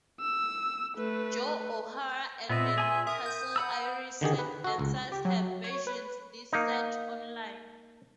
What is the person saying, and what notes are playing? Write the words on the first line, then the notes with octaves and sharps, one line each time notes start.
Joe O'Hara and the Newcastle Irish Set Dancers have versions this set online.
E6
A3 B4
A#2 B3 C4 D#5 E5
G#4 G#5 C6
A#4 E5 D#6
G6
F#5 B5 E6
D3 D#3 G4 G#4
B4
F#4 A4
C#2
G4
F#3
C#5
B4
A#3 D#4